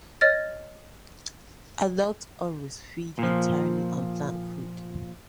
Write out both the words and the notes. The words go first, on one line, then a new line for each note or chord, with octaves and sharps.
Adult Arraus feed entirely on plant food.
C#5 D#5 F6 A6
A#2 F3